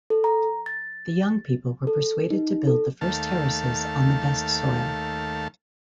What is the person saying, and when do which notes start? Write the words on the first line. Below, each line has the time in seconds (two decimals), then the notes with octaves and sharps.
The young people were persuaded to build the first terraces on the best soil.
0.10 A4
0.24 A#5
0.66 A6
1.87 A4
2.30 D#4
2.67 A4
3.01 D#2 A3 F5 A5